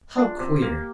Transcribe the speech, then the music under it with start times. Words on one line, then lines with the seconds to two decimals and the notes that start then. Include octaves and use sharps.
How queer!
0.17 D4 F4
0.39 C3
0.62 A#3 G4